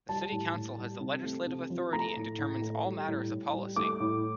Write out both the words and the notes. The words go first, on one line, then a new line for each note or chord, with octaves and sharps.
The City Council has the legislative authority and determines all matters of policy.
G3 A5
A2
A2
G3
C3
A3
C3
F3
A3 A#5
A2
A2
A3
G3
A2
A2
G3
A3 D6
A2